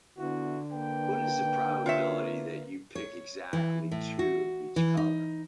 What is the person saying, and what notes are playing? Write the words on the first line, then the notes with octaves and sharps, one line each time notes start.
What is the probability that you pick exactly two of each color?
D3 B3 E4 F#4
A#3 B4 G5
F4 C#5 E5
C#5
E3
A2
F#4
E3
D#4